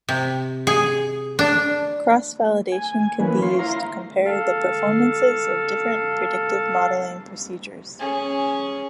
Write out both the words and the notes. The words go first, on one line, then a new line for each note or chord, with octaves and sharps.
Cross-validation can be used to compare the performances of different predictive modeling procedures.
C3
G#4
D4
G#5
E3 A#3 C#4 B4
F4 C#5 C6
E4 F5 A#5 C6
A4 F5
C#4 G#4